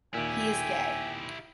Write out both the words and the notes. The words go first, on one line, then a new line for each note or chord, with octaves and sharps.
He is gay.
D#2 A#2 E4 G4 E5 G5 G#5